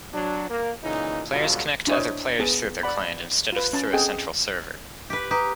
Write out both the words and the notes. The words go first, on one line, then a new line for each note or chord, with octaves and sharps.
Players connect to other players through their client, instead of through a central server.
F#3 D4
A#3
A#2 C#3 E3 D#4
G2 B2 D3 F#3 F4
D4 E4 C5 C#5 D#5
B3 G#4 A5
D5 F#5 B5
F4 B4
C#4 A5
C4 G#4 A4 D#5 F#5 G5
G4 B4
G4 B4 A#5 D#6